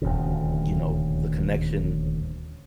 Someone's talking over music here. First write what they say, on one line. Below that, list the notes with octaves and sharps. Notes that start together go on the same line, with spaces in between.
you know, the connection
D#1 D2 C#3